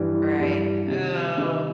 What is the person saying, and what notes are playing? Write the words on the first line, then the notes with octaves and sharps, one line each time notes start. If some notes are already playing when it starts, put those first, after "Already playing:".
Right. Ooh.
Already playing: G2 E3 G3
G2 E3 G3
C3 D#3 G3
C3 D#3 G3